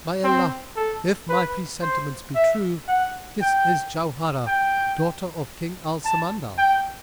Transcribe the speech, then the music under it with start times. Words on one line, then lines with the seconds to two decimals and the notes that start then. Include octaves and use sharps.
By Allah, if my presentiments be true, this is Jauharah, daughter of King Al-Samandal!
0.24 C4
0.77 A4
1.29 B4
1.83 C5
2.35 E5
2.88 F#5
3.41 G5
4.47 G5
6.05 A5
6.58 G5